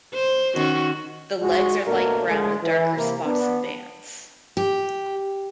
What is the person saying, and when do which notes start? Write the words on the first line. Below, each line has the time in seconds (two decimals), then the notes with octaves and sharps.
The legs are light brown with darker spots and bands.
0.14 C5
0.54 D#3 C#4 F#4
1.42 G#2 G#3 F#4
1.87 B2 A3 A#3 D4 A#4
2.28 A2 D3 G#3
2.63 E3
2.97 C3 A#3
3.26 B3 D4
4.57 G4